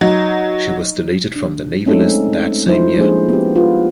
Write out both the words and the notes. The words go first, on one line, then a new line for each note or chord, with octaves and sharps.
She was deleted from the Navy list that same year.
F#3 D#4
D4
G#3 A3 C4 C#4 D#4 A4
F3 G3 D#4 E4 C5
F3 G#3 A#3 D4 G#4 C5
B3 G4
F4 G#4 B4